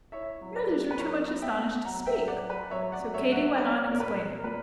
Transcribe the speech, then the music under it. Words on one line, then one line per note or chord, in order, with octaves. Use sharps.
The others were too much astonished to speak, so Katy went on explaining.
E4 C#5 E5
F#3
B4 D5
F#3
B4
F#3 A#4 C#5
B3
E5 G5
B3
F#3 F#5 A#5
E5 G5
F#3
D5 F#5
F#3
B4
F#3 C#5 E5
D5 F#5
F#3
C#5 E5
F#3 F#5
C#5 E5
C#4 B4 D5
A#2 A#4
B4
A#2
A#4
A#2 B4